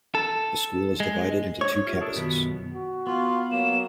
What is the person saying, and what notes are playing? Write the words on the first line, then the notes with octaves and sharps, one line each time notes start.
The school is divided into two campuses.
A4
G#3
C#5
F4 G4 E5
D4 A4 A#4 D#6
F#2 B2 D#3 B3 F#4
F#4
B3 F4 F5
F#3 A#3 E7